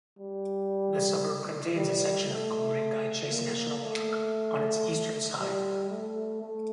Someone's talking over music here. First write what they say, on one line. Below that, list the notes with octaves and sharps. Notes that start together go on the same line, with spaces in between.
The suburb contains a section of Ku-ring-gai Chase National Park on its eastern side.
G3
G3
A3
A#3
A3
G3
A3
A3